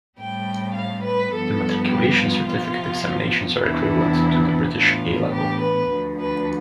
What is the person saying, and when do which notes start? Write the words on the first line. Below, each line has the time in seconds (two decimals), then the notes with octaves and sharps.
The Matriculation Certificate examinations are equivalent to the British A Level.
0.18 A2 G3 C4 G5
0.74 F5
1.03 B4
1.31 G2 F3 B3 A4
1.89 G4
2.17 F4
2.46 C3 F3 B3
3.60 E2 C3 E3 B3 D4 E4
4.74 A2 E3 B3 D4 F4
5.31 G4
5.60 B4
5.88 D2 D3 F3
6.18 B4